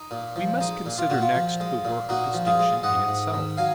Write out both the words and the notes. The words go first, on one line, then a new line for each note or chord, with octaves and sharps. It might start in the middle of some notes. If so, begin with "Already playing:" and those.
We must consider next the work of distinction in itself.
Already playing: D#4
A#2
F3
G#3 D#4
A#2
F4
A#2 F#4
F4
F3
G#3
A#2
A#2 D#4 F#4
F3
F4 G#4
G#3
G#2 D#5 F#5
G#2
D#3
F#3 F5 G#5